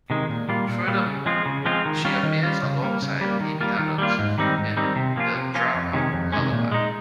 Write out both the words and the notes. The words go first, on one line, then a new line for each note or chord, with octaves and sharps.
Furthermore, she appears alongside Amy Adams in the drama "Lullaby".
C3 D#3 G#3
A#2
G3 A#3 F4
A#2
G3 A#3 F4
C#3
F3 G#3 C4 F4
C#3
F3 G#3 C4 F4
D#3
G3 C#4 F4
D#3
G3 C#4 F4
C#3
G3 A#3
C#3
G3 A#3
D#3
G3 A#3 F4
D#3
G3 A#3 F4
G#2
D#3 G3 C4 D#4
G#2
D#3 G3 C4 D#4
C3
F3 A#3 C#4 F4
C3
F3 A#3 C#4 F4
F2
C3 D#3 G#3 C#4
F2
C3 D#3 G#3 C#4
A#2
G#3 D#4